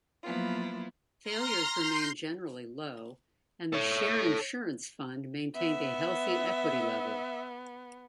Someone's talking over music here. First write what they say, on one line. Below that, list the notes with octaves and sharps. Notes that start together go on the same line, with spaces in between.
Failures remained generally low, and the Share Insurance Fund maintained a healthy equity level.
F3 F#3 A#3 B3 E4 F4
A#5 C6 F6 A#6
C6 G6 C7
A4 C#5
B3 E5